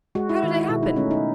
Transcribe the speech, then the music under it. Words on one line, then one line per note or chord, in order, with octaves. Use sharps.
"How did it happen?"
G#3 F#4
E4
D#3 F#4
F#4
B2 E4
D#4
A3 C#4
D#4